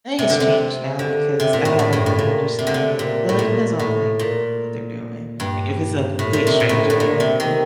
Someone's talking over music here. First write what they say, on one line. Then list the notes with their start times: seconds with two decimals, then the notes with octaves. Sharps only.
I think it's changed now because I have a better understanding well, it depends on, like, what they're doing. Like, if it's a complete stranger and
0.19 C3
0.30 D3
0.40 C3
0.99 D3
1.40 C3
1.53 A#2
1.65 A2
1.79 A2
1.93 G2
2.06 A2
2.19 A#2
2.59 C3
2.67 D3
2.74 C3
2.99 A#2
3.29 A2
3.39 A#2
3.79 A2
4.19 A#2
5.40 G2
6.19 A2
6.33 A#2
6.47 C3
6.60 A#2
6.69 A2
6.90 A2
7.00 A#2
7.20 C3
7.40 D#3